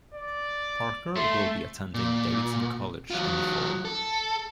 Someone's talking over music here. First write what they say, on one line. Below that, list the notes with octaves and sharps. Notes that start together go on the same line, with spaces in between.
Parker will be attending Davidson College in the fall.
D5
A3 C6
A#2
F#3 F4
A4